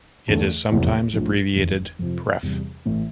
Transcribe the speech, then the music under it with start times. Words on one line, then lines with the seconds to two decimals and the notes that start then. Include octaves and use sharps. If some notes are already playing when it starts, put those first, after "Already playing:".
It is sometimes abbreviated "pref".
0.28 E2 D3 A3
0.71 F1 E2 C3 E3 A#3
1.14 A#1 A2 F3
1.56 F1 E2 D3
1.99 F2 C3 F3
2.43 E2 C3 G3
2.86 A1 A2 E3